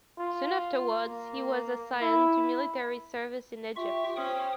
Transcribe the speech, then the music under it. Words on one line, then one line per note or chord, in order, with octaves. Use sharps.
Soon afterwards he was assigned to military service in Egypt.
F4
A#3
E4
F4 G4 E5 C#6
C#4 C5 G5 D#6